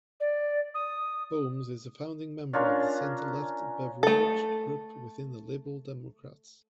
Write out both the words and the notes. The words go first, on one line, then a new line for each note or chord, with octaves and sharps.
Holmes is a founding member of the centre-left Beveridge Group within the Liberal Democrats.
D5
D#6
C#4 D4 F4 A#4
A3 A4